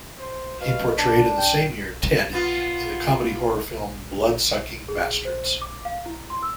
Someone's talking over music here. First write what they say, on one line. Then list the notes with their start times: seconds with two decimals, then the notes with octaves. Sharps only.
He portrayed in the same year Ted in the comedy horror film "Bloodsucking Bastards".
0.19 C5
0.61 B2 F5
0.98 D4 D5
1.37 G5
2.33 B3 F4
4.89 G#4
5.25 C5
5.62 D6
5.85 F5
6.06 E4
6.30 C6
6.43 E6